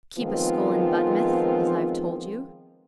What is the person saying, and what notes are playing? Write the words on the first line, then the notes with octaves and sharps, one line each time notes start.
"Keep a school in Budmouth, as I have told you."
D#3 F3 G#3 B3 C4 F4